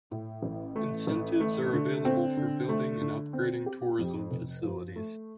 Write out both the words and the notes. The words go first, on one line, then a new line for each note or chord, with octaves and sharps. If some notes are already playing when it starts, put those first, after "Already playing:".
Incentives are available for building and upgrading tourism facilities.
A2
A1
A3
A1
A3
D3
C4
D3
A3
D3
C4
G4
F2
F1
F3
A3